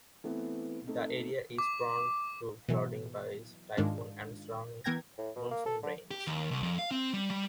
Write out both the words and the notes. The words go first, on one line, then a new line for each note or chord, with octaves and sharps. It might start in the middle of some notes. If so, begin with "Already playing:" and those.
The area is prone to flooding by typhoons and strong monsoon rains.
E3 A3 B3 C4
A3 C4 D#4
D6
B2 E3 F#3
G#2 D#3 G#3 D4 F4
E3 B3 A#4 G5 G#6 A#6
A2
B2
A#3
A4
D3
G4
D#2
C2
F2
F5
C4
G3
G3